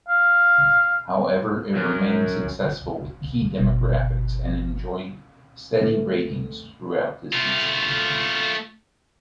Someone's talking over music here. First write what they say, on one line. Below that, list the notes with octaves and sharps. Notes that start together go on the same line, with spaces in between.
However, it remained successful with key demographics and enjoyed steady ratings throughout the season.
F5
F#2
G1 B2
A3
A3 F4